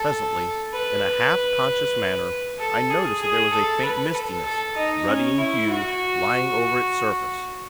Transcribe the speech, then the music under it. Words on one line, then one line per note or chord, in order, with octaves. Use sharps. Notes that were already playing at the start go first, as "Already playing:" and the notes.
Presently, in a half-conscious manner, I noticed that there was a faint mistiness, ruddy in hue, lying over its surface.
Already playing: A4
B4
A4
G#4
G#4
A4
B4
A4
A4
D#4
C#4
E4
F#4